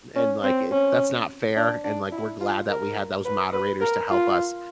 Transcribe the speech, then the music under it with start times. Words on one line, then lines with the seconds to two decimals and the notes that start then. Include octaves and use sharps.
and, like, eh, that's not fair, and, like, we're glad that we had those moderators to help us,
0.16 C#4
0.44 C4
0.72 C#4
1.56 D4
1.84 D4
2.12 E4
2.40 F4
2.68 A#4
3.25 B4
3.53 B4
3.81 A#4
4.09 F4